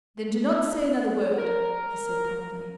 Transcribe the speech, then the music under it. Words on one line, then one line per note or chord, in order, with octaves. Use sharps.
"Then do not say another word," he said, promptly.
A#4